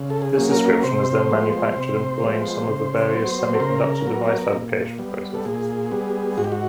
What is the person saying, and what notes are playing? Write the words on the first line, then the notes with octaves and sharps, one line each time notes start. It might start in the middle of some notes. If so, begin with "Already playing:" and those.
This description is then manufactured employing some of the various semiconductor device fabrication processes.
Already playing: C#3
A4
G#4
F#3 A#3 C#4
A#4
C3 C5
F3 G#3 B3
C3
F3 G#3 B3
C#3
F#3 B3
A4
C#3 A#4
F#3 B3
A#2
G3 B3
A4
A#2 G#4
G3 B3
G#2 F#4
G4
F#4